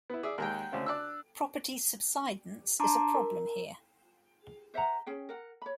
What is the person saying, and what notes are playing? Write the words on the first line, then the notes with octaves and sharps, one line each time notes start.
Property subsidence is a problem here.
B3 E4
G#4 D5 E5
D#2 G#3 A#4 F#5 G5
D2 C#3 C4
D4 D5 E6 F#6
D4 A5 A#5 C6 D6
A#4
C5 E5 F#5 A#5
C#4 G#4 G5
A#4 F#5
C#5 B5